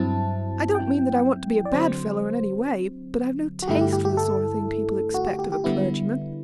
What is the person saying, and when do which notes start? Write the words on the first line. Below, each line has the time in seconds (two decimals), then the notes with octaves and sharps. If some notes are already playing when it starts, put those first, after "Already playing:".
I don't mean that I want to be a bad fellow in any way; but I've no taste for the sort of thing people expect of a clergyman.
Already playing: G2 F#3 C4 E4 A5
0.75 G5
1.65 D5
1.72 D3 F#3 C4 C5
3.62 F#4
3.68 G2 D3 A3 E4 G4
3.81 G4
3.93 G4
4.05 G4
4.17 A4
5.14 F#4
5.27 G4
5.39 G4
5.52 G4
5.64 D3 G3 B3 E4